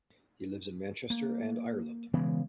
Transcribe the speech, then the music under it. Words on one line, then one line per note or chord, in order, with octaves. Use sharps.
He lives in Manchester and Ireland.
A#3
C#3 E3 G#3 B3